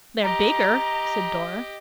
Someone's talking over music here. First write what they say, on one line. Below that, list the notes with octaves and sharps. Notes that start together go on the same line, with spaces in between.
"They're bigger," said Dora.
G4 D#5 A#5